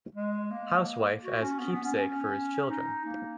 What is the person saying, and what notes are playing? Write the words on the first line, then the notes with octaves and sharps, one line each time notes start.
Housewife as keepsake for his children.
G#3
A#3
F#4
C#4
B3
B3
C#4
C#4
D#4
A#3